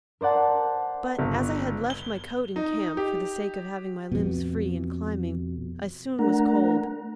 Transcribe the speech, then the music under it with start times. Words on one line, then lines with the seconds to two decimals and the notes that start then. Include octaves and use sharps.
But, as I had left my coat in camp for the sake of having my limbs free in climbing, I soon was cold.
0.21 A#4 C5 D5 F#5 A5
1.19 G1
1.90 G7
2.56 D#4
2.97 G4
4.12 F2 B2
6.19 A3 D4 A#4 F#5 A#5